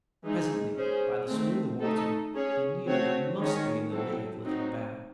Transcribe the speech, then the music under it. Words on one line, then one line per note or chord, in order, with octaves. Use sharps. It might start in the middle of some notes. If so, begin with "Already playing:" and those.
Presently, by the smoother water, he knew he must be in the lea of Little Bear.
E3 G#3 D#4 G#4
C#4 G#4 C5
D#3 A3 C4
A3 D#4 A4
C#4 G#4 C#5
A3 C4 F#4 C#5
D#3 G#3 C#4 G#4 C#5
F#3 C4 E4 A4
F#3 C4 D#4 F#4